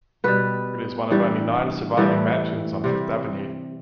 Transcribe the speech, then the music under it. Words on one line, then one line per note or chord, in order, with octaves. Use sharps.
It is one of only nine surviving mansions on Fifth Avenue.
B2 G3 B4
G2 E3 G3
A2 E3 G3
C3 G3